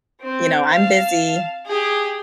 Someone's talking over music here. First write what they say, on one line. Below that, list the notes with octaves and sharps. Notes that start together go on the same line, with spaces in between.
you know, I'm busy
C4
F5 A5
G4 G#4